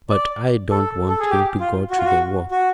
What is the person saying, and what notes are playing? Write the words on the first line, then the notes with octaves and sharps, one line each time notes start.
But I don't want him to go to the war.
D5
A4
A4
G#4
G4
F4
F#4
F4
F#4
F#4